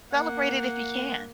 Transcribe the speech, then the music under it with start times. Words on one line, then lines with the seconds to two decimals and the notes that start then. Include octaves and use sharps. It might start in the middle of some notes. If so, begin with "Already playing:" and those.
celebrate it if you can.
0.12 A#3 F#5